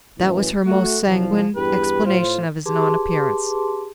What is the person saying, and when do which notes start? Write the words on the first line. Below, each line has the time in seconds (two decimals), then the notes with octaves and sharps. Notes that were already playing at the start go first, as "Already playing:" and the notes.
That was her most sanguine explanation of his non-appearance.
0.19 F#2 A2 E3
0.65 A3 F#4
1.06 C2 F3
1.56 E2 G2 G4 B4
2.06 A2 F4 C5
2.65 G4 G#4 B4 A5 C6 D6